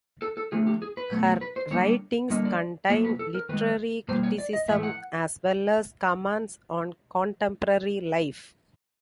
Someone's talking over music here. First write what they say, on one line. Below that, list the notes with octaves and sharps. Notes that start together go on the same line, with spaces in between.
Her writings contain literary criticism as well as comments on contemporary life.
A4
A4
D3 F3 A3 G#4
G4
G#4
B4
B2 F#3 A3
B4
C5
D3 G3 A#3 C#5
D3 G3 A#3 D#5
D5
C3 D#3 F#3 A#3 C#5
B4
A4
A#4
D#3 G#3 B4
B2 G3 A#3 C5
C#5
D5
D#5
A2 E3 A3 E5
F#5